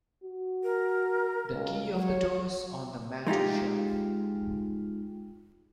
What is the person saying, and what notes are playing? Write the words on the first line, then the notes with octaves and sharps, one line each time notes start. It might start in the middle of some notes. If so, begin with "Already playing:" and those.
The key of the door's on the mantelshelf.
F#4
A#4
C#2
F#3 C#5
G#3 D#4 F4 G4